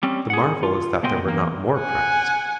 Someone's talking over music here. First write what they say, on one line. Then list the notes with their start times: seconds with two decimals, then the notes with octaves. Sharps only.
The marvel is that there were not more crimes.
0.03 G3 C4 C#4
0.30 G#4 F#5
0.63 F4
1.03 C#2 A#2 B3 D#5 G5 C6
1.24 E2 A#3
1.79 F#5 G#5